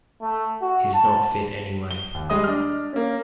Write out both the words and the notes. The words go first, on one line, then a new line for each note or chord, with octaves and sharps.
He's not fit anyway.
A3
F#4
A5
G7
D#2
G3 G#3 D#5 D#6
D4 F6
A#3 C#4